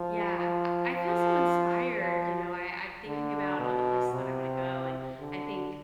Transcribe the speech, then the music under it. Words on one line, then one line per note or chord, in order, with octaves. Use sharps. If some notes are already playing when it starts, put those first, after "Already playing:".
Yeah, I I feel so inspired, you know, I I'm thinking about all the places that I wanna go and I think
Already playing: F3
F3
F3
F3
D3
B2
C3
D3